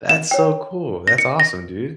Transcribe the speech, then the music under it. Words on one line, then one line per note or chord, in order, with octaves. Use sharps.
That's so cool. That's awesome, dude.
E7
C#5 G5
A#6
C#7
A#6